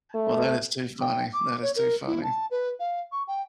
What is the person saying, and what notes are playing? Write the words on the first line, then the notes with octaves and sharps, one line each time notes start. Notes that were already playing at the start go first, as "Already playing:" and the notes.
Well, that is too funny, that is too funny.
A3
G5
D6
C#5
A#4
E4
A5
B4
F5
C#6
G5